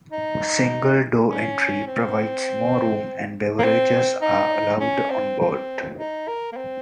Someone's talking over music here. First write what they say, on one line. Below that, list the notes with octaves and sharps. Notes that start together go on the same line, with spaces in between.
Single door entry provides more room and beverages are allowed on board.
D#4
C#4
C4
A#3
C4
D#4
C#4
C4
C4
D#4
A#4
A#3
C4